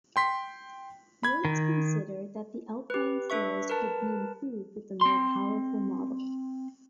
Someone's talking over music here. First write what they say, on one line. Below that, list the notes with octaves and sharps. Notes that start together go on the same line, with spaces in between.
Rootes considered that the Alpine's sales would be improved with a more powerful model.
G5 C6 B6
B5 G#6
D#3
G4 B4
D4 B4 E5 C#6
A#4 B4 A5
C4 C6